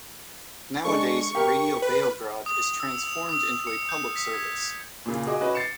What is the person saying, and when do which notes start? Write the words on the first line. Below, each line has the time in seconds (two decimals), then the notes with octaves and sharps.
Nowadays, Radio Beograd is transformed into a public service.
0.85 G#3 D4 A4 C#6
1.35 G4 A#4 F6
1.82 B4
2.46 D#6
2.80 E6
3.08 F7
3.29 D#6
3.67 C#7
3.89 G6
4.16 B6
4.34 G#6
5.06 A#2 C#3
5.26 F#4 G#4 D#5 D6
5.41 C#4 F#4 B4 D#5
5.55 A6 C7 C#7 E7